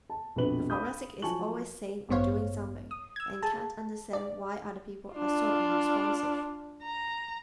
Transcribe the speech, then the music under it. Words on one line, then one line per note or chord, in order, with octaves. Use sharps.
The Thoracic is always saying or doing something and can't understand why other people are so unresponsive.
A5
A#1 F2 B2 B4 F#7
F5 B5 D#6 G6
F3 F#3 G#5 A5 C#6 F#7
A1 G2 B3 C5 C#5 F5
D#6
E6 G#6
G#4 A5
D5
D4 F4
A#5